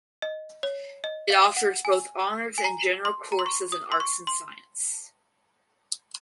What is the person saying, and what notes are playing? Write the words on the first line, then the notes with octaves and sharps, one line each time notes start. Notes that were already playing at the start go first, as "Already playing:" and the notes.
It offers both honours and general courses in arts and science.
D#5
C#5
D#5
F5
F#5
G#5
G#5
A#5
C6
A#5
C6
C#6
D#6
C6
C#6
C6